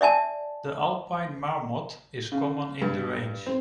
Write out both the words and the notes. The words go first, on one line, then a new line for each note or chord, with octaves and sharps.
The Alpine marmot is common in the range.
D5 E5 G#5 A5
C#3
G2
C4